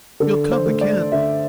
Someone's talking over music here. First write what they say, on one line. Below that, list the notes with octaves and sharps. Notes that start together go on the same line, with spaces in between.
"You'll come again?"
D3 A4
C5
A3
D5
D3 E5